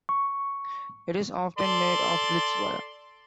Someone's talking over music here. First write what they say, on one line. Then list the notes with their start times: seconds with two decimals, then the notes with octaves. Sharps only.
It is often made of litz wire.
0.09 C#6
1.58 A4 D5 C6